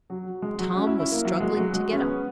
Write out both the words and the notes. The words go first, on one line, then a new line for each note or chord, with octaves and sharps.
Tom was struggling to get up.
F#3
G#3
F#3
C#4
E4
E4
A#3
F#3
G#3
F#3
G#3
C#4
B3